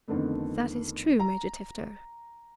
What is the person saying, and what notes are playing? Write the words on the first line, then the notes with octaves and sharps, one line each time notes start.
"That is true, Major Tifto."
F2 D3 D#3 A3 B3
A#5